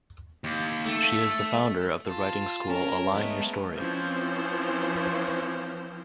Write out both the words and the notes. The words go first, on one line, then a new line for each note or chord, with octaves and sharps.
She is the founder of the writing school Align Your Story.
D#2
A3
F4 A5
C#4 A#4
G#3 A3 B3
E3 F3 C4 C#4 C5